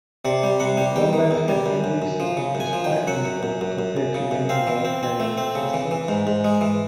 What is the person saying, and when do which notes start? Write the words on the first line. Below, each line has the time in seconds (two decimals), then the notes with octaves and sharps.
The combat and injury system is quite lethal, compared to many roleplaying systems.
0.25 C3 D5
0.43 G3
0.60 C3 F#5
0.77 G3
0.96 E2 G5
1.13 D#3
1.31 E2
1.48 G3
1.66 F#2
1.84 F#2
2.02 F#2
2.20 F3
2.37 C#3
2.55 F#2
2.60 G#5
2.73 F3
2.84 G5
2.90 F#2
3.07 F#3 F#5
3.25 F#2
3.43 F#2
3.61 F#2
3.79 F#2
3.97 F#2
4.15 C#3
4.31 F#2
4.49 C4 F5
4.67 E3
4.85 C4
5.03 C4
5.20 A3
5.38 C4
5.55 C#3
5.74 E3
5.91 E3
6.08 G#2
6.27 G#2
6.45 G#3
6.61 E3